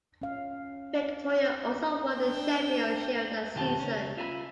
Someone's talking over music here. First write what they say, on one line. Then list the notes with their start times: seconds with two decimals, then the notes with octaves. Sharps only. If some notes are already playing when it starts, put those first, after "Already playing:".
Victoria also won the Sheffield Shield that season.
0.22 C#4 F5
2.16 D4 G5
3.55 B1 F2 D#3 F4 G4 A5
3.79 C#2 C#4
4.17 F4 E5 G#5 A5 B5